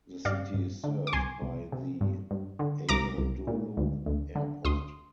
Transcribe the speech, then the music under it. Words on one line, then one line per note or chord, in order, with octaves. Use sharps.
The city is served by the Anadolu Airport.
G2 D5 F5
G2
D3
D6
C2 G#5 C6
C2
C3
G2
G2
D3
C2 A#5 D6
C2
A#2
D2
D2
D3
D2 C6 D#6